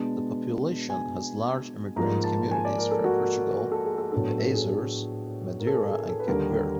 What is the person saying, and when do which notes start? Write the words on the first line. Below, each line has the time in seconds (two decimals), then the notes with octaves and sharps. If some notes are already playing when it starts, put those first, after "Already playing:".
The population has large immigrant communities from Portugal, the Azores, Madeira and Cape Verde.
Already playing: B2 G#3 B3 D4 A5
0.89 G#5
1.96 G#2 F3 A#3 A#5
2.24 A5
2.51 G#5
2.65 D5
2.78 A#4
2.91 A4
3.04 F#4
3.72 A4
3.85 G#4
3.98 A4
4.12 A2 F#3 B3 D4 A4
4.39 A4
4.54 G#4
4.66 A4
5.60 A#4
5.67 A4
5.74 G#4
5.91 G#4
6.09 A4
6.20 B4
6.27 D#2 D3 G3 A#3 A#4